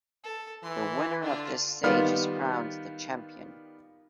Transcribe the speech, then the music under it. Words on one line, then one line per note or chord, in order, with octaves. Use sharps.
The winner of this stage is crowned the champion.
A4
E3 C6
D3 D4 F4
D#3 G3 B3 F4 F6